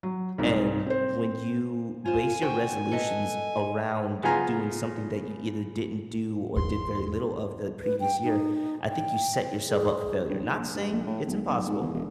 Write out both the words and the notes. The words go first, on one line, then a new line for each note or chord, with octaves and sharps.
And when you base your resolutions around doing something that you either didn't do or did very little of the previous year, I think you set yourself up for failure. Not saying it's impossible
F#3
C2 G#2
C4 C5
F4 C5 G#5
F#4 C5 G5
A4 B4 D#5
C#3 B3 F4 G#5 A#5
E2 C6
B4
G5
D#4
G5
G#4
G2
G#2
A#1
G2
A#1
A2
B1
B1
G#2
E2
E1